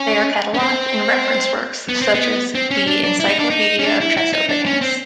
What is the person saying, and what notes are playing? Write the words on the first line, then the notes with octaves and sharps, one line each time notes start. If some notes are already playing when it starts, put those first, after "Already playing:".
They are catalogued in reference works such as the "Encyclopaedia of Chess Openings".
Already playing: C#4
C#4
C4
B3
C4
B3
C4
C#4
D4
D4
E4
D#4
D4
D#4
C#4
D4
E4
E4
D#4
D4
C#4
C4